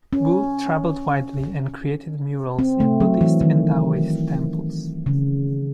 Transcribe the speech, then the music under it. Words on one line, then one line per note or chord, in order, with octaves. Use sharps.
Wu traveled widely and created murals in Buddhist and Daoist temples.
C#4
C4
A3
F#3
E3
D#3
C#3